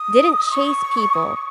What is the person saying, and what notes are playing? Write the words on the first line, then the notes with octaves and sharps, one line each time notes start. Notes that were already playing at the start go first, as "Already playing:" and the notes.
didn't chase people
Already playing: D#6
C#6
D#6
C#6